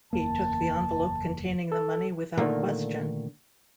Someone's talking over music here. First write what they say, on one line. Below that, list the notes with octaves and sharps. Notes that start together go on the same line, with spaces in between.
He took the envelope containing the money without question.
F#1 E2 A#3 A5
A4
A#2 D3 D#3 A3 A#3